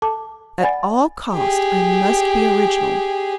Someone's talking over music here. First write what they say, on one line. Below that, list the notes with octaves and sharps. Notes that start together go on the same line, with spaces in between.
At all costs I must be original.
A4 A5 D6
D5 F#5 G#5 B5 A6
G4 G#4